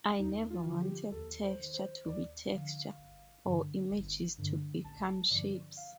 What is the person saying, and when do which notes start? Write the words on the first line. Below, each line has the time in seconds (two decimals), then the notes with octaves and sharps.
I never wanted texture to be texture, or images to become shapes.
0.19 D#2 D#4
0.50 F4
0.65 D3 F3
0.81 G4
1.12 D#2 A4
1.44 C5
1.59 D#3
1.74 C5
2.05 D#2 D5
2.51 D3 F3 F5
2.98 G1
3.45 G2 D3
3.91 G1
4.38 G2 D3
4.84 A1 A5
5.30 G2 D3 F3 D5
5.77 F5